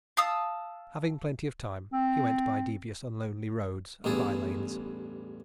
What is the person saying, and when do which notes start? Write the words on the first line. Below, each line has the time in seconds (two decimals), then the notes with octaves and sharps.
Having plenty of time he went by devious and lonely roads and by-lanes.
0.17 F5 A5 D#6 E6
1.93 C4
4.04 A1 E2 G2 G#4 A4